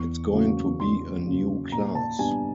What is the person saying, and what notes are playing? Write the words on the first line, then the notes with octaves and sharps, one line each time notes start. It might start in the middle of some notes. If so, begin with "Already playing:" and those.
It's going to be a new class.
Already playing: E2 C#6
C#3 F#3 A#3 C#4
E2 C6
C#3 F#3 A#3 C#4
A#2 A#5
A5
G3 B3 D4 G#5